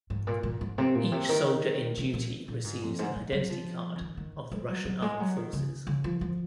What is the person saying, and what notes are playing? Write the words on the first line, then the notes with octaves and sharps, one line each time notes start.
Each soldier in duty receives an Identity Card of the Russian Armed Forces.
G#2
A#2
A#2
G#2
C3
A#2
C3
D#3
C3
A#2
A#2
G#2
F2
G#2
G#2
F#3
F3
C#3
D#3
D#3
G#3
F#3
F#3
G#3
F#3
D#3
C#3
C#3
F3
F3